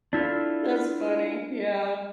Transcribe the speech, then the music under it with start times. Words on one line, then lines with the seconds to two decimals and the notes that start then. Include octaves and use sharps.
That's funny, yeah.
0.13 D4 E4 F4 A4